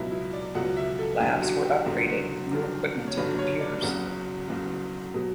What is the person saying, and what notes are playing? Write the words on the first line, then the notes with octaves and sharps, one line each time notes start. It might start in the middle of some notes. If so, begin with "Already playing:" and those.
Labs were upgraded with new equipment and computers.
Already playing: C#2 B2 F#3 E4
E4
D5
C#2 B2 F#3 F#5
E5
A4
F#1 E2 D3 F#3 G4
F#4
G4
F#1 E2 D3 F#3
G1 G2 D3 F#3
C#5
G1 G2 D3 F#3 B4
C#5
D5
F#1 E2 C#3 F#3 F#4
F#1 E2 C#3 F#3
B2 F#3